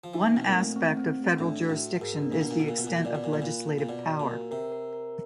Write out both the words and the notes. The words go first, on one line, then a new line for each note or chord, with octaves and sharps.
One aspect of federal jurisdiction is the extent of legislative power.
F3
E3 D#4
B2 C4
A#2
A3
C4
C4
A3
A2 D4
F#4
A2
F#4
G#2 A#4
D4
A#2
B2 A#4
A#2
B2 F4
A#2
B2
A#2 F4
B2
A#2 D5
B2
A#2 F4
B2
A#2 F4
F4
A#2
B2 D5
F#4
A#2
A#4
C3 A#4
A#4
A#4